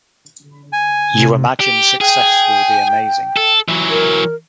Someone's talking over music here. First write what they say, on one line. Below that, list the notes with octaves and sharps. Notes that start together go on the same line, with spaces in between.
You imagine success will be amazing.
G#5
C3
G4
G#4 G5
A4
E3 F#3
A#4